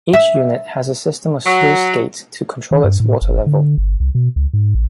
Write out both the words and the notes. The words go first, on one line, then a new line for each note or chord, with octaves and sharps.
Each unit has a system of sluice gates to control its water level.
E5
F#3
D#3
G2
A2
F#1
D3
G1
C2
B2
C#2
G#2
A1